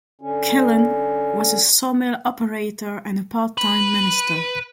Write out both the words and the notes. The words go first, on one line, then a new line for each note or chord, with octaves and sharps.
Killen was a sawmill operator and a part-time minister.
D3 C#4
B4